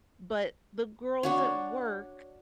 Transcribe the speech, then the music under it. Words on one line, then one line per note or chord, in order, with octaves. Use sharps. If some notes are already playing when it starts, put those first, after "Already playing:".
But the girls at work
D4 F#4 C#5